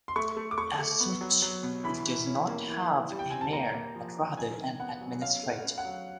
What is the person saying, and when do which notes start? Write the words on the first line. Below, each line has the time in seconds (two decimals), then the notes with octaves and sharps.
As such, it does not have a mayor but rather an administrator.
0.08 C6
0.16 A3 C#6
0.37 A3
0.51 D6
0.58 A3 C#6
0.79 A3
1.00 B3
1.21 F#3
1.42 F#3
1.63 B2
1.84 E3 B5
2.06 E3
2.26 C#4
2.48 A#3
2.69 E3
2.90 E3
3.11 G3
3.19 G5
3.30 C4 G#5
3.41 A5
3.53 A#3 A#5
3.74 A#3
3.95 F3
4.16 D4
4.37 D4 G#5
4.58 D#3
4.80 B3 F#5
5.00 F#3
5.21 C#4 F5
5.43 A3
5.50 F#5
5.64 C#4
5.78 F#5
5.85 F#3